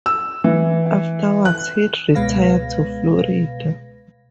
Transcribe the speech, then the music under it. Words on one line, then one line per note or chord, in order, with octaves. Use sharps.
Afterwards, he retired to Florida.
E6
E3
F#6
C#2 B2 G#3 B4 F5 A#6